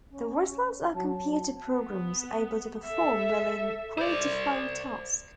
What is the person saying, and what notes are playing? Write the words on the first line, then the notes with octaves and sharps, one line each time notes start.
The results are computer programs able to perform well in a predefined task.
C#4
F#3 A5
B3
A4 E5
C5 D5